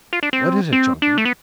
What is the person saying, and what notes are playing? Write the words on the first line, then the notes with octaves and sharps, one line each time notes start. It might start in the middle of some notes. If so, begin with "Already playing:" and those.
"What is it, Chunky?"
F4
D4
C4
C4
D4
A3
B3